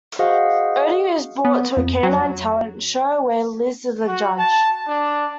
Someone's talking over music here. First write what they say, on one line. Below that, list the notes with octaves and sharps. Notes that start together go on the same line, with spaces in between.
Odie is brought to a canine talent show, where Liz is a judge.
F#4 G#4 C5 D#5 F5 F#5
B3
F2
F#3
F#4
A5
D4